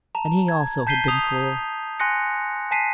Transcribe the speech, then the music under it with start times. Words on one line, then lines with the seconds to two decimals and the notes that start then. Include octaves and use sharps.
And he also had been cruel.
0.15 A5 A#5
0.48 G#6
0.87 A5 G6 B6 C7 D#7 G7
1.08 D#6 F7
2.00 G#5 C6 F#6 A#6 C#7
2.71 G#5 A5 B6 C7 D#7